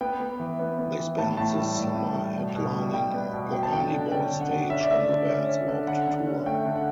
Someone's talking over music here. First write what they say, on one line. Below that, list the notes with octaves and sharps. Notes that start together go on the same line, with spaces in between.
They spent the summer headlining the Ernie Ball stage on the Vans Warped Tour.
B3 G5
B3
E3
B3
B3
E3
A2 A5
A2 A5
G3
A2
A2
G3
B2
B2
G3
G3 G5
B3
B2
F#3 G5
A5
D3 G5
D3
C#4 G5
D3
F#5
D3
C#4 E5
D5
A3 E5
D3
C#4
C#4
D3
D3 F#5
D3
C#4
A3 G5
D3
F#5